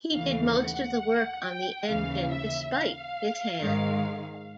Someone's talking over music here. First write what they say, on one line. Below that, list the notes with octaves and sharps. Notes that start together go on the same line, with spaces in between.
He did most of the work on the engine despite his hand.
D#2 C#3 E3 A3 F5
F#5
G5
D#2 C#3 E3 F5
E5
F5
G#2 D#3 G#3